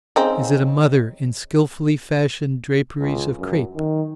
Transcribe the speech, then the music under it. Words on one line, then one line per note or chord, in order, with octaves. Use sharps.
Is it a mother in skilfully fashioned draperies of crape?
C#3 C4 D#4
C#2
F#2
D#3